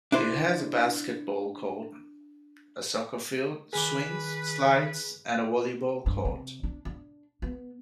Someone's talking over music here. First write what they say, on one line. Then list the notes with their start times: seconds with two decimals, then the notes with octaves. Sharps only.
It has a basketball court, a soccer field, swings, slides, and a volleyball court.
0.12 D4 E4 C5
3.73 D#3 G#4 A#4 B4 B5 D6
6.06 G2
6.25 C3
6.63 D4
6.85 D4
7.42 B3